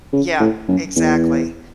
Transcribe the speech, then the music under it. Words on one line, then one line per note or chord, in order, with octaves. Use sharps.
Yeah, exactly.
C#3
A2
F#2
E2